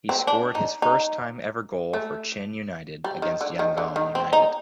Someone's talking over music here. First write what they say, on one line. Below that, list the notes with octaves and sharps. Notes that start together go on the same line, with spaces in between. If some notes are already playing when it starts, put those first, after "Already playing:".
He scored his first time ever goal for Chin United against Yangon United.
C4
D4
D#4
D#4
A3
G3
D#3
D3
D#3
D3
D#3
C4
D#4